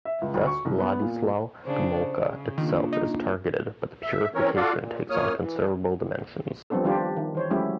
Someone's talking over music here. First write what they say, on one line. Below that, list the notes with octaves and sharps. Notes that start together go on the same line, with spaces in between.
Thus Władysław Gomułka itself is targeted but the purification takes on considerable dimensions.
E5
C#2
D2
C#6
C2
B3
A#2
C#3 D4 C5
C#3
D#3 A#3 D4 F4
D#4
E5
E3 C4 C#4 A#4 C#5
F4 F#4 A4 D5 F5 F#5
A#2
F#2 A#2 A#3 C#5 D#6 F6
E3
F3 G3 B3 C4 D4 A4
D#3 F3 G3 D4 F4 G4
D#3
E3 C5 C#5
F#3 G#3 A3 C#4 E4 G4